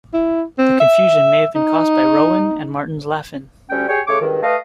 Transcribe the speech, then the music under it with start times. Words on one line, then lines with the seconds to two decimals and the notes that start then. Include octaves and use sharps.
The confusion may have been caused by "Rowan and Martin's Laugh-In".
0.13 E4
0.58 C4
0.80 E5
1.55 D#4
3.70 D2 G3 C#4 G5
3.89 G4 G#4 C#5 G5
4.08 C#3 A3 C#5 D6
4.21 C#2 G2 D#3
4.43 A3 B4 D#5 F5